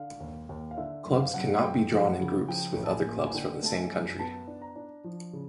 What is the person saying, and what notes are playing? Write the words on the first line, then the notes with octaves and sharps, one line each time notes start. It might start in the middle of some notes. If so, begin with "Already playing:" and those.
Clubs cannot be drawn in groups with other clubs from the same country.
Already playing: D3 F5
D#2
D#2
F5
D3 E5
F#2
F5
F#2 F#5
F5
F#2 G5
F3
F#5
C#3
F3 G5
A1
A5
G#5
A#3
G#5
D3 G5
A3 A5
G#5
F#2
B3 A5
D4
A#5
D4
F3
C#3